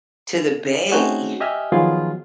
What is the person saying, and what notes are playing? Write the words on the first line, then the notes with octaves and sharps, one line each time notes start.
to the bay.
A3 C4 C#4 D#4 F#4 G#4
G4 D#5 E5 G#5 F6
D#3 F3 F#3 B3 F4 G#4